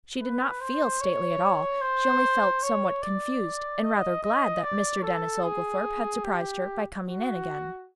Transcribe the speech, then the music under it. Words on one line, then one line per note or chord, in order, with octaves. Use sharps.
She did not feel stately at all; she only felt somewhat confused, and rather glad that Mr. Denis Oglethorpe had surprised her by coming again.
B4
C5
C#5
C5
C#5
D5
D#5
D#5
D5
A4
G#4
G4
F#4